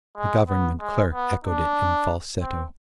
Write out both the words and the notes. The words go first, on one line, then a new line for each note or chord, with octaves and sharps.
The government clerk echoed it in falsetto.
G#3
B3
G#3
B3
D4
C4